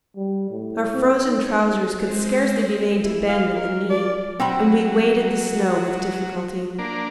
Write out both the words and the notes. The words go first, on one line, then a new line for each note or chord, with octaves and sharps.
Our frozen trousers could scarcely be made to bend at the knee, and we waded the snow with difficulty.
G3
A2
C4
D#4
G#3 C4 C5
E4
F5
A#4
D5
F#3 C4 G5 B5
A#3 D4